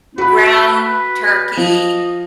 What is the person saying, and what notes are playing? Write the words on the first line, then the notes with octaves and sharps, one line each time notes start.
m ground turkey,
F#4 B4 B5
B4
F3 D#5